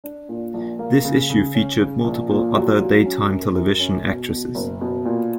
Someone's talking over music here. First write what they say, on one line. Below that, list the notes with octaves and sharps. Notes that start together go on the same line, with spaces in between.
This issue featured multiple other daytime television actresses.
D4
A#2
A#1
A#3
C#3
C#3
C#4
C#3
A#1
A#2
F#3
F#3
C#4
F#2
F#2
C#4
B2
B2
F#1
B2
A#2